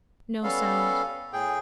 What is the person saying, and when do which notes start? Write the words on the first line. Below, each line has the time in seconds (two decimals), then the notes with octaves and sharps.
No sound.
0.43 G3 B3 C#4 A4 F5
1.33 A2 G#4 G5